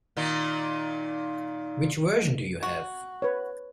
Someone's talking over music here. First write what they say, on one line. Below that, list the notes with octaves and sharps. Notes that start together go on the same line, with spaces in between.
Which version do you have?
A#2 D#3 D#4
F#4
B4 C#5